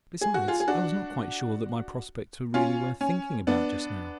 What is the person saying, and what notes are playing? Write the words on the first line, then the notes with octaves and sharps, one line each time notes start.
Besides, I was not quite sure that my prospects were really worth thinking about just now.
G#4
F#4
F4 G#4
G#4
D4 F#4
C#4 F4
C#4
B3 D4